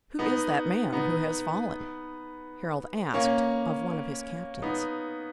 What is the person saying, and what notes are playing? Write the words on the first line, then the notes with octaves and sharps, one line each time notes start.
'Who is that man who has fallen?' Harold asked of one of his captains.
B3 D#4
B3 D#4
A#3 C#4
B3 D#4